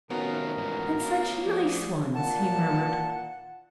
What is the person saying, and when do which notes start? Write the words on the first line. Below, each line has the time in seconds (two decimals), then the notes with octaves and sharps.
"And such nice ones," he murmured.
0.10 F1 D#3 B3 C#4 F4 F#4 A#4
0.58 G#2 E3
1.00 A3 F5
1.46 F3 G#4 D5
2.15 A#2 F#5 A5